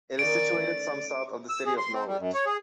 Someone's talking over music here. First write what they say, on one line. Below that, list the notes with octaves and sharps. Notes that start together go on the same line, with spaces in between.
It is situated some south of the city of Norwich.
D#3 A#3 C#4 D5 D7
A3
E6
G#4
C6
C4
G3
F#2
C#5
G#4